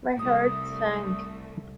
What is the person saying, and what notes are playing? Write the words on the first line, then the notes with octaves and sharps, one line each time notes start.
My heart sank.
C2 A3 D#6